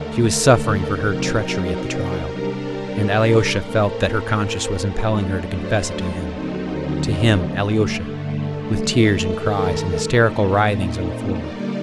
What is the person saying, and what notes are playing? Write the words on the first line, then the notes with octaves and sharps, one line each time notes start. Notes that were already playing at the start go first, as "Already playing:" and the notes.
She was suffering for her "treachery" at the trial, and Alyosha felt that her conscience was impelling her to confess it to him, to him, Alyosha, with tears and cries and hysterical writhings on the floor.
Already playing: D#2 D3 A3 A#4
A4
C3 F#3 C4 D#4 A#4
A#4
C3 G3 D4 A#4
A4
A2 A3 C4 A#4
G2 F#3 A3 D4
C5
D#2 D3 F#3 C4 D#4
G2 D3 A3
G2 D#3 A3 A4
A#4
A#2 A3 C4 D#4
D3 G3 A#3 D#4 D5